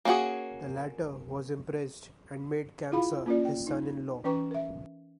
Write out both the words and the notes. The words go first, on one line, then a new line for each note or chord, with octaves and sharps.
The latter was impressed and made Kamsa his son in law.
A#3 C#4 D#4 F#4 G#4
E4 F4 G#4 F5 B5
A#3 C#4 F4 A#4 D5
G5
D#4
E3 C#4 B4 G5 A#5 C#6
A#4 E5